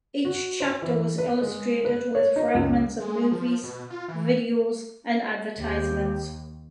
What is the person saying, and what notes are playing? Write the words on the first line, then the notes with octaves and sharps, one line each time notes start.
Each chapter was illustrated with fragments of movies, videos and advertisements.
F#4
C5
E3
B4
G#3
B4
C#5
D#4
C#2
G#3
F3
B2
F4
E3
D#2 G4